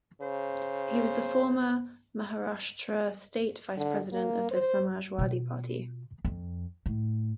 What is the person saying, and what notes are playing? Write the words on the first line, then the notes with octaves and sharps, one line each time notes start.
He was the former Maharashtra State Vice President of the Samajwadi Party.
C#3 C5
D3
A#3
C5
B2 F4
F2
A2